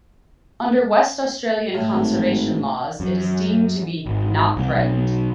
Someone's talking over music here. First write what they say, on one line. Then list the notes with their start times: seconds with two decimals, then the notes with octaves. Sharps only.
Under West Australian conservation laws it is deemed to be "not threatened".
1.75 A2
1.93 G#1
3.00 F#2
4.06 G#1
4.57 C2
4.74 B1